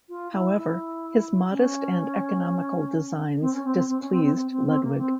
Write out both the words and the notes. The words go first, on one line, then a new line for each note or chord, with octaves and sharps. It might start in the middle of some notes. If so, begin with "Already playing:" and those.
However, his modest and economical designs displeased Ludwig.
F4
E4
E4
C#4
C4
C#4
C4
C4
C4
C#4
C4
C4
C4
C4
C4
A#3
C4